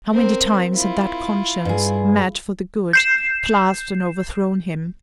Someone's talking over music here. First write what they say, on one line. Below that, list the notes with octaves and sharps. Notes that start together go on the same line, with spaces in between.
How many times had that conscience, mad for the good, clasped and overthrown him!
C4 A#4
E4 F4
G2 G#4
G6 C7 E7